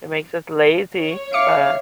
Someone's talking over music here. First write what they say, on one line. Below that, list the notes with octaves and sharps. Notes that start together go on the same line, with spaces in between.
It makes us lazy, but,
C#5
E5 F5 D6 C#7